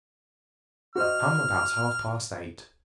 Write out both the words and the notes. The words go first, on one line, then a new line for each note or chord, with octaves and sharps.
Come about half-past eight.
F#4 C5 D#5 F6